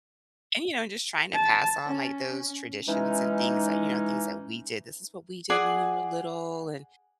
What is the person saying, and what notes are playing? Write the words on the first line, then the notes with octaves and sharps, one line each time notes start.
and, you know, just trying to pass on, like, those traditions and things that, you know, things that we did. "This is what we did when we were little, and
A5
C#4
E3 G#3 C#4 D#4
G#4 D5 F#5 G#5